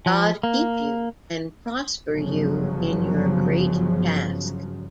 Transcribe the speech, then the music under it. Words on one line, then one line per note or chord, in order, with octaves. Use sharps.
God keep you and prosper you in your great task.
F3
A#3
G1 C#3 F3 F#3